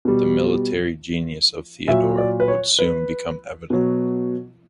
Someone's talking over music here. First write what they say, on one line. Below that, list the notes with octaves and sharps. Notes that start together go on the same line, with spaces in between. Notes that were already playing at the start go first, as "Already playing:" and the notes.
The military genius of Theodore would soon become evident.
B2 G3
A#2 F#3 E5
D5
B4
C#5
B4
B2 F#3